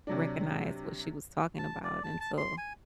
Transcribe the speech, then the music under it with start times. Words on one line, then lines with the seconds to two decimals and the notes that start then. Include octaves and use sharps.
recognize what she was talking about until
0.07 C3 F#3 D4
1.59 A5
1.84 D5
2.04 A5
2.20 A5
2.38 C6
2.58 G#5